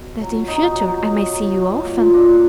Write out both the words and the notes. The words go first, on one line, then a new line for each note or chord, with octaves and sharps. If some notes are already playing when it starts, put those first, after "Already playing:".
"That in future I may see you often."
Already playing: B2
F#3
F#3 D#4
F#3
F#3
F#3
F#3
A#2
F3 D4